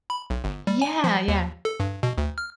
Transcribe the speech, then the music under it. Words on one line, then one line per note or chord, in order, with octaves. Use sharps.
Yeah, yeah.
B5
B1
G1
G3
G#5
F3
D#2
A4
G2
B2
D2
F6